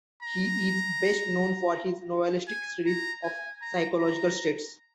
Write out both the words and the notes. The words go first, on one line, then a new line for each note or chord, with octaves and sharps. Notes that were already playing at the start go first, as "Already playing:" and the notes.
He is best known for his novelistic studies of psychological states.
A#5
G#5
A#5
G#5
A#5
A#5